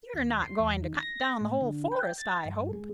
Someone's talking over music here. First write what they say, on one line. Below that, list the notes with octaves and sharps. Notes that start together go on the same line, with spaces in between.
"You're not going to cut down the whole forest, I hope."
D#2
C6
E2
D#3
A#6
A2
D3
G5
A6
G2
G#3